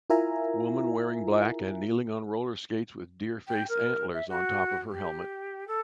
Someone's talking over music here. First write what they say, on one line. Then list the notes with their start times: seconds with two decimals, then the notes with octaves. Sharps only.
Woman wearing black and kneeling on rollerskates with deer face antlers on top of her helmet.
0.10 E4 F4 A#4 E5 G#5 A#5
3.48 G5
3.69 A#4
4.14 E5
4.28 F#4
4.90 G4
5.67 A4